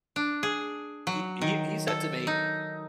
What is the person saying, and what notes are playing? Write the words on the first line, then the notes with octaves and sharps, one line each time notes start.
he he he said to me,
D4
G#4
F#3
D#3
A4
D#4